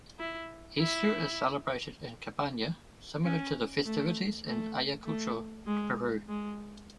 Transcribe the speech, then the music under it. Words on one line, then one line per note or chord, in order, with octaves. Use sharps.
Easter is celebrated in Cabana similar to the festivities in Ayacucho, Peru.
E4
E4
C#4
A3
A3
A3
G#3
G#3